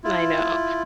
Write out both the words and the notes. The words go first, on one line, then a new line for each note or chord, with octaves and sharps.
I know.
E4 F4